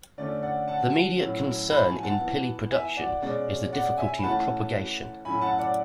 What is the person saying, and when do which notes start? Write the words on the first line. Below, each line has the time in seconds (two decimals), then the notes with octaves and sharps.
The immediate concern in pili production is the difficulty of propagation.
0.18 D3 A3 C#4 D5
0.43 D5 F#5
0.68 F#5 A5
1.19 A2 F#3 C#4
1.70 B5
1.80 A5
1.91 G#5
2.03 F#5 A5
2.20 E3 B3
2.72 E5 G#5
2.97 D5 F#5
3.22 B2 G#3 C#4 D5
3.73 D5 F#5
3.98 E5 G#5
4.19 B5
4.23 E3 A3 C#4 F#5 A5
5.25 A2 F#3 C#4 G#5 B5
5.41 F#5 A5
5.58 D5 F#5